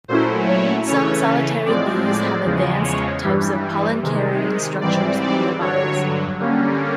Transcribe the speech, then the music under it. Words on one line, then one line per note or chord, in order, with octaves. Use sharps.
Some solitary bees have advanced types of pollen-carrying structures on their bodies.
A#2 F#3 A3 C#4 E4 C5
C#5
C#3 E3 A3 C#4 C#5
A2 F3 G#3 C4 D5
D5
E2 C#3 F3 G#3
C#5
G2 E3 G3
C3 D#3 G#3
G#2 E3 G3 C4 D5
D5
G2 D3 F#3 C#5
D3 G3 A#3 C#4